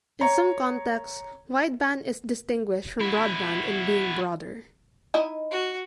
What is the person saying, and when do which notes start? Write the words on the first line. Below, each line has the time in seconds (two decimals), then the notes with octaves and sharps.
In some contexts wideband is distinguished from broadband in being broader.
0.21 C#5 A#5
3.00 E4 F#4
5.14 D#4 E4 D#5
5.51 F#4